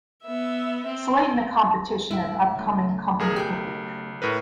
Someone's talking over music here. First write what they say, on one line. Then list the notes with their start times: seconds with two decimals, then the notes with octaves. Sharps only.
Slate in a competition at the upcoming company picnic.
0.24 B3 E5
0.87 C4
2.11 A2 G#3 E4 G5
2.55 C#3 A3
3.19 B1 G#4 A#4
3.36 B1 G4 A#4
4.22 A2 A#4 B4